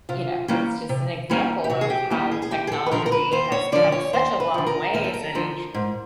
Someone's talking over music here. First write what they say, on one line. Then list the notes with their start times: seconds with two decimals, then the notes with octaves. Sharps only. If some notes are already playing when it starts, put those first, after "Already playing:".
you know, it's just an example of how technology has come such a long ways and
0.09 C3 F4
0.48 E3 G3 A#3 C#4
0.89 C3
1.30 E3 G3 A#3 C#4
1.64 G4
1.70 C3 F#4
1.81 G#4
1.90 G4
2.10 E3 G3 A#3 C#4 G4
2.31 G#4
2.42 G#4
2.51 D#2 G4
2.67 G#4
2.72 A4
2.86 B4
2.91 D3 F3 A#4
3.06 A#4
3.12 B4
3.32 D#2 C5
3.52 C#5
3.72 D3 F3 D5
3.92 C#5
4.13 D#2 C5
4.40 B4
4.54 D3 F3
4.67 A#4
4.94 D#2 A#4
5.04 A4
5.14 A#4
5.35 D3 F3
5.74 G#2